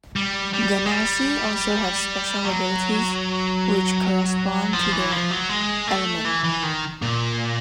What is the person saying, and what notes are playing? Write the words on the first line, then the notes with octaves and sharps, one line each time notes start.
Genasi also have special abilities which correspond to their element.
G3
G3
G#3
G3
F#3
F3
E3
F3
F#3
G#3
A3
E3
E3
D#3
A#2